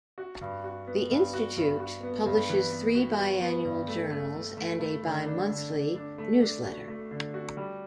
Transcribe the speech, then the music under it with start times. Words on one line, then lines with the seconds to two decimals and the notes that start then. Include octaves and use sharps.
The institute publishes three bi-annual journals and a bi-monthly newsletter.
0.18 F#4
0.41 G2
0.64 F#4
0.87 B3
1.10 G2
1.34 F#4
1.56 G2
1.80 F#4
2.03 B3
2.26 G2
2.49 E3
2.72 B3
2.95 F#4
3.19 F#4
3.41 B3
3.65 G2
3.88 A3
4.10 A3
4.34 A3
4.57 A3
4.80 A3
5.03 D3
5.26 D4
5.49 D3
5.72 D3
5.96 D4
6.18 A3
6.42 D4
6.65 F#4
6.88 A3
7.11 D3
7.34 F#4
7.57 G3